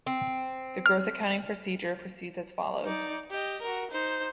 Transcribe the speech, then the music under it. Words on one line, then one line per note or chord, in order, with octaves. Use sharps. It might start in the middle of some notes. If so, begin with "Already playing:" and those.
The growth accounting procedure proceeds as follows.
C4
F6
D#4 D5
G4 D#5
F#4 A#4
D#4 C5